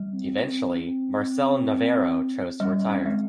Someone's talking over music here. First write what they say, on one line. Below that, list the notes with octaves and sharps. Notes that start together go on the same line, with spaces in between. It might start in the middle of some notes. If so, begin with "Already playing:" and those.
Eventually, Marcel Navarro chose to retire.
Already playing: G3
C4
C4
C4
G3 C#4
C4
G#3